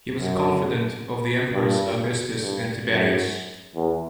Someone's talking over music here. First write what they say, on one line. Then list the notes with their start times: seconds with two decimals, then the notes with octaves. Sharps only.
He was a confidant of the emperors Augustus and Tiberius.
0.18 F#2
1.52 G2
2.41 G2
2.86 F#2
3.75 E2